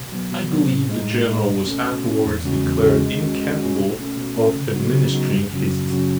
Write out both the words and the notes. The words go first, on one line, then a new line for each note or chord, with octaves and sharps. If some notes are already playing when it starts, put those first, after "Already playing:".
I believe the general was afterwards declared incapable of administering his estates.
Already playing: B2
F#3 B3
B2
F#3 B3
A2
G#3 D#4
A2
G#3 D#4
B2
A3 C#4
B2
A3 C#4
E2
C#3 G#3 C#4 F#4
E2
C#3 G#3 C#4 F#4
G#3
C#4 F#4
G#3
C#4 F#4
B2
A3 C#4
B2
A3 C#4
C#3
F#3 B3 D#4 F#4
C#3
F#3 B3 D#4 F#4
F#2
C#3 F#3 C#4 F#4
F#2
C#3 F#3 C#4 F#4